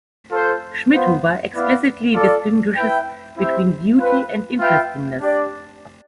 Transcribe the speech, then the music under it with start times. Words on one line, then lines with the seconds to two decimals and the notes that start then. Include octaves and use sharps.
Schmidhuber explicitly distinguishes between beauty and interestingness.
0.31 F4 A4 C5
0.92 B3 F4 C5
1.54 B3 E4 B4 D5 F5
2.14 F4 A4 D5
2.76 E4 B4 E5 G5
3.38 C4 E4 G4 C5 E5
3.98 C4 F4 B4
4.59 F4 B4 E5 G5
5.21 D4 G4 D5